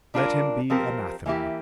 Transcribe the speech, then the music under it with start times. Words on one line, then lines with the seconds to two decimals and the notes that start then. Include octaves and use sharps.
Let him be anathema....
0.14 G3 D4 F4 A#4
0.70 F3 C4 G4 A#4
1.26 E3 A#3 E4 G4